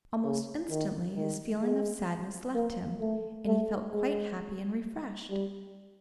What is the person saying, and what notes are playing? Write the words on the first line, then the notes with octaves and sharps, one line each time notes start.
Almost instantly his feeling of sadness left him, and he felt quite happy and refreshed.
C#3
D#3
D#3
G#3
A#3
A3
A3
G#3
G3